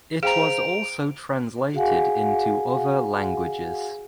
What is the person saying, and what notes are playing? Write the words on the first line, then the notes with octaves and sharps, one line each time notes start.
It was also translated into other languages.
G#4 C5 F5 G5 A#5 D7 F7
F#4 G#4 F5 F#5 G#5